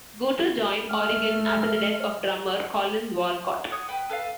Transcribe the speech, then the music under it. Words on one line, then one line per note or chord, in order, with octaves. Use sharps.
Gurtu joined Oregon after the death of drummer Collin Walcott.
A3 F6
F#4 C#5 D#6
B4 G5 B5 G6
A4 B4 D5 F5